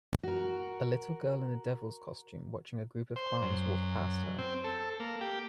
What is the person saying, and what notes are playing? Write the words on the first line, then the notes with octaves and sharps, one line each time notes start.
A little girl in a devils costume watching a group of clowns walk past her.
F#4 A#4
C5
F#2
C4
A4
A#3
G4